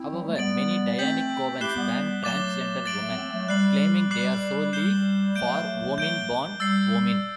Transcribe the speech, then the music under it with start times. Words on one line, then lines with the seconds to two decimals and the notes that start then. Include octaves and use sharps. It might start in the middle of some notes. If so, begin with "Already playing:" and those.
However, many Dianic covens ban transgender women, claiming they are solely for womyn-born-womyn.
Already playing: C4 E4
0.12 F#3
0.20 G3
0.28 A3
0.36 G3 B3 A6 D7 F#7
0.99 A3 C4 G6 B6 F#7
1.61 E4 G4 F#6 C7 E7 G7
1.76 G3 B3
2.23 F#3 A3 D6 A6 E7 G7
2.86 F#3 A3 A6 D7 F#7
3.01 F#3 A3
3.09 B3
3.17 A3 C4
3.33 F#3 A3
3.48 G3 F#6 C7 F#7
4.10 G3 D6 F#6 C7 F#7
4.73 G3 G6 C7 E7 G7
5.35 F#3 A3 G6 D7 G7
5.98 G6 D7 G7
6.60 G3 E6 A6 C7